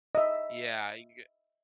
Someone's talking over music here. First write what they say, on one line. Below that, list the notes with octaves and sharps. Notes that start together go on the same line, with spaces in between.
Yeah, you can get
D#5 E5